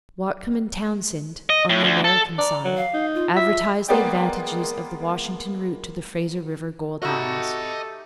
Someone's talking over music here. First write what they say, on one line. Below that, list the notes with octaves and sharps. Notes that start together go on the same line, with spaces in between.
Whatcom and Townsend, on the American side, advertised the advantages of the Washington route to the Fraser river gold-mines.
D#5
A2
D2
A4
D5 A#5
F#3
F5
D#4
F4
E5
G#3 A#3 B3 D5 G5
A3 D#4 F#4 G4 A4 D#5 B5